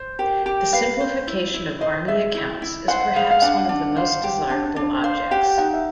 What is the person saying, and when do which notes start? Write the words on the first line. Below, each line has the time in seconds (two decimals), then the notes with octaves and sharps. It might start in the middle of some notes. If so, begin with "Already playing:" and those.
The simplification of army accounts is perhaps one of the most desirable objects.
Already playing: C5
0.19 G4 A#4
0.46 G4
0.73 B4 F5
1.01 C5
1.27 E4
1.54 E4
1.81 C5 D#5
2.08 G#4 E5
2.35 E4
2.62 E4
2.88 C5 F#5
3.16 G#4 F5
3.31 F5
3.42 D4 F#5
3.69 D4
3.96 C5 F5
4.24 G4
4.50 D4
4.76 D4
5.03 C5 F5
5.31 G4 F#5
5.58 D#4 F#5
5.73 E5